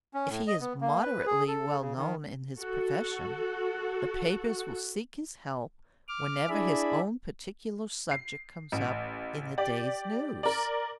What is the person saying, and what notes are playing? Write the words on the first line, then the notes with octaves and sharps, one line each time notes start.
If he is moderately well-known in his profession, the papers will seek his help whenever his own particular subject comes up in the day's news.
C#4
A2
D#5
B3
A#3
B4
G#4
A4
C#3
D#3
F#4 A4
D6 F6
D4 E4 G#4 D5 E5 B5
C7
A1
G4 D5
A#4 D5